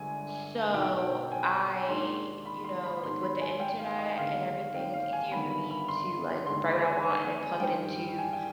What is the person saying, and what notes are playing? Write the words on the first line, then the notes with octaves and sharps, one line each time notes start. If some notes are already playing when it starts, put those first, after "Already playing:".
so I you know, with with the Internet and everything, it's easier for me to, like, write what I want and then plug it into
Already playing: G1 G2 D3 G#3 G#5
B1 B2 B3 D#4 G5
G#5
D#2 D#3 G#3 D4 C6
B5
C6
B5
G#2 D#3 G3 B3 C6
B5
G#5
G5
F5
D#5
D#2 D3 G#3 B3 F5
G5
F5
G#5
G1 G2 D#3 B3 B5
B5
B5
C6
D#2 D3 G#3 C6
B5
G#5
G#5
G2 D#3 G3 G5
G#5
G5